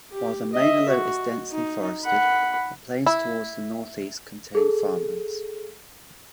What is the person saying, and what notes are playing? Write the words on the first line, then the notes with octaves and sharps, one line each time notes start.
While the Mainalo is densely forested, the plains towards the northeast contain farmlands.
G4
D#5 E5
F#4
D#4
F#5 B5
E4
G#4 A4